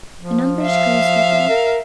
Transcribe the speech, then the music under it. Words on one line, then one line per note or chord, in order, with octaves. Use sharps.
The numbers grew steadily.
F3
E5 F5
A#4